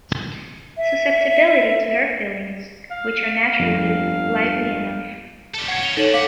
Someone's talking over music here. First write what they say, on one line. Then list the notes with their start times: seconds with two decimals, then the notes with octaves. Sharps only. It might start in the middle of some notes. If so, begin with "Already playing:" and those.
Susceptibility to her feelings - which are naturally lively enough.
0.77 E5
2.91 F5
3.60 G1 F2
5.54 G3 A4
5.68 C#5 F5 F#5 G#6
5.83 F7 G7
5.97 F2 D3 D#4 A4 C#5 F#7
6.14 A3 F5 F#5 D6 B6